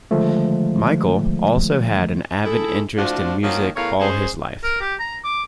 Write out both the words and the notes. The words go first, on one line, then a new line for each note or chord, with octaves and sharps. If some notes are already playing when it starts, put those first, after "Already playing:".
Mykle also had an avid interest in music all his life.
D3 D#3 F3 G#3 A3
A3 E4 G#4 A4
A2 F3 C4 D4 F4 F#4
D#3 F3 F#3 A#3
E2 A2 A#4 C#5 F5
G#3 C#4 G#4 C5
A#4
G4
A#5
D6